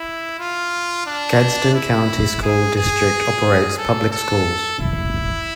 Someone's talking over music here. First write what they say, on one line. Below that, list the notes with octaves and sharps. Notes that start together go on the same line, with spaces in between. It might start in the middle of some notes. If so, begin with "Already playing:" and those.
Gadsden County School District operates public schools.
Already playing: E4
F4
D4
E4
G#4
G#4
A4
A4
E4